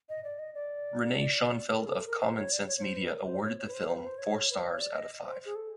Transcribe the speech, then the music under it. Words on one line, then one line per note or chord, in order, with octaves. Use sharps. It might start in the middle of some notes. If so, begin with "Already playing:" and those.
Renee Schonfeld of Common Sense Media awarded the film four stars out of five.
D#5
D5
D#5
D5
A#4
G#4
A4
A#4
C5
C5
C#5
D5
C#5
C#5
C5
B4
A#4
C5
C#5
C#5
B4
C5
C5
B4
C5
C#5
B4
C5
C#5
D5
D#5
C5
G#4
A4